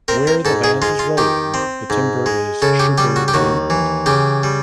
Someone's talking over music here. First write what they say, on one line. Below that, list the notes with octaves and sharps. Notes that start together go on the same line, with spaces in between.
Where the land is rolling, the timber is Sugar Lind?
C4 A#4
A#4
G#2 A4
G#4
G#3 F4
F4
D#3 G4
C4
G#2
G#3
C#3 A4
G4
G3 G4
F#4
G4
D#2 F#4
E3
C#3 G4
G3